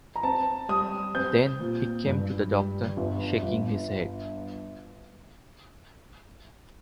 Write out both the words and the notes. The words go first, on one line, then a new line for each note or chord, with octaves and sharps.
Then he came to the Doctor, shaking his head.
A#5
C4 A5
G3 D#6
C4 G6
A#2
G2
G3
G1
G1